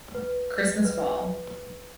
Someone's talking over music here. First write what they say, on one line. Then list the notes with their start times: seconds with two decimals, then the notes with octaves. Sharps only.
Christmas Vol.
0.15 B4
0.85 B4